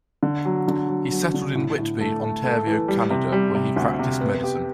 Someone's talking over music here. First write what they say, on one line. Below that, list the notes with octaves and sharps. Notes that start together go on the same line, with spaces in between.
He settled in Whitby, Ontario, Canada, where he practiced medicine.
D3
F#3
D3
F#3
F#3
D3
A2
A2
A3
A3
A3
E3
G3
C3
G3
C3
D2
C3
B3
G4